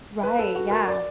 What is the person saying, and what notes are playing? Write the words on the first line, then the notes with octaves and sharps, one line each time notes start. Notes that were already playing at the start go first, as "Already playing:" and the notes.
Right, yeah.
B4
A4
F#4
A#4
D5